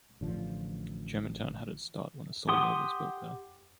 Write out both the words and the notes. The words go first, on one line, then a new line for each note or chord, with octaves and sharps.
Germantown had its start when a sawmill was built there.
A1 D3 F3
G4 F#5 C6 D#6